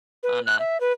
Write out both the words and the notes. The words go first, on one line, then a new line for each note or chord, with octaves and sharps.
on a
B4
F#6
E5
B4